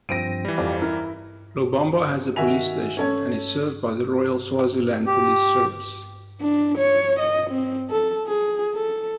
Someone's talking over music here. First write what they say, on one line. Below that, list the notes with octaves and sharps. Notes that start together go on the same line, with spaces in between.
Lobamba has a police station and is served by The Royal Swaziland Police Service.
G2 F3 C4 A#6 D7 D#7
E3 G3
F2 G4 D5 F5
E4 A#4
D#3 F#4 E5 G#5 F7
C#4 A4 C#5
G4
D4
C#5
D#5
C4
A4
G#4
A4